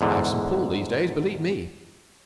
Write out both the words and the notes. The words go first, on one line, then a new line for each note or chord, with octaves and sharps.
I have some pull these days, believe me.
E2 G#2 D3